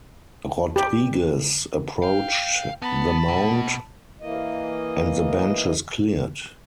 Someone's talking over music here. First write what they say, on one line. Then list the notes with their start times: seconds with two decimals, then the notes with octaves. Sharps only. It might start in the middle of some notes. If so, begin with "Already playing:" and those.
Rodriguez approached the mound and the benches cleared.
0.76 G4
2.02 F5 G5
2.82 B3 A5 B5
3.28 B2
4.21 E3 A#3 D#5